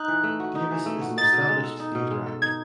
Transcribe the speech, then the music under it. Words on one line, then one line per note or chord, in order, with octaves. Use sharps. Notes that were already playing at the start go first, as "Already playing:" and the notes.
Davis is an established theatre actor.
Already playing: D#4 F#6
E3
A3
F#4
D#4
E3
A3
F#4
D#4 A6
B2
G#3
A4
D#4
B2
G#3
A4
D#4 G#6